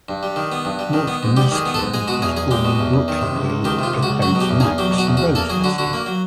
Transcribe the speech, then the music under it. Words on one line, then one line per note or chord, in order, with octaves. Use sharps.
Mort Meskin was born in Brooklyn, New York to parents Max and Rose Meskin.
G2
G3
D#3
B3
G2
G3
D#3
B3
G#2
G3 G4
D#3 G#4
B3
A4
G#2
G#3 G#4
B2 F#4
E2 G#4
E2 G#4
G#3 G4
B2
E2
E2
D#3
C3
C#2
C#2
D#3 G4
C3 F4
C#2
F#4
C#2
F#3 F#4
B2
G4
E2
G#4
E2
F#3 G4
B2
F#4
E2
F#4
E2
A#3 A4
F#3 G#4
D3 F#4
D3 F#4
A#3
F#3